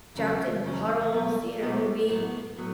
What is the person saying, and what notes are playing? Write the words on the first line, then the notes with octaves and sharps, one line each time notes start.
jumped in puddles, you know, we
E2 C#3 F#3 C#4
E2 C#3 F#3 C#4
B1 B2 F#3 B3
B1 B2 F#3 B3
A2 F#3 B3
A2 F#3 B3